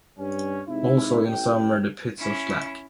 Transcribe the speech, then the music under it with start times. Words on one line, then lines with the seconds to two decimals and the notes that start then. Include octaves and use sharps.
Also, in summer, the pits are slack.
0.18 G2 C#4
0.68 C3 G#3 D#4 E4
1.25 A1 G5
2.19 C#4 E4